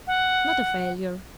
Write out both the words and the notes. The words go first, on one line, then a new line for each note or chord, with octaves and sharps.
'Not a failure.
F#5